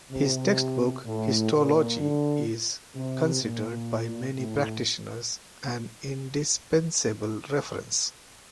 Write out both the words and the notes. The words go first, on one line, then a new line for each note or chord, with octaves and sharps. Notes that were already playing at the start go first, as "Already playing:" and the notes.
His textbook "Histology" is considered by many practitioners an indispensable reference.
C3
A2
A#2
D3
C3
A#2
A2